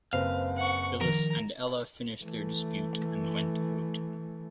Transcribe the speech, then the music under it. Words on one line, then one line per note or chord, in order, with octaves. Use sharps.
Phyllis and Ella finished their dispute and went out.
F#1 C4 B4 F5
F#5 C#6
D#3 F3 A#4 A#5
E3 A3